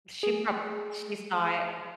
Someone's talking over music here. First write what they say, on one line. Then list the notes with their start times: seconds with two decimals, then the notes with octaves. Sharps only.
She prob She saw it. Mm.
0.23 A3 G#4